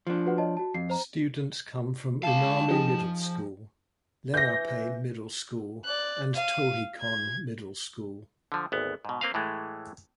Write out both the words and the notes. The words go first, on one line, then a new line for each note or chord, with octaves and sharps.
Students come from Unami Middle School, Lenape Middle School, and Tohickon Middle School.
F3 D4
F#4 B4 F#5
C#5 D#5 A5
F#4 A5
F2 C7
C5 A#5
G#3 F5 A5
F3 D#4 G4 G#4
E3 G6 A#6
D5 F#6
F5 D#7
G#6
D3 F3
G#1 D2 B3
G#2 B2
A#3 C4 B4 F5
A2 E3 G#3 A3